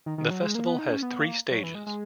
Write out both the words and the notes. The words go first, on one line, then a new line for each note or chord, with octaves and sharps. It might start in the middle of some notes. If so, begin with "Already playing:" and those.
The festival has three stages.
D#3
D#3
F#3
G#3
A#3
B3
D#4
C#4
B3
A#3
F#3
E3
G#3
G#3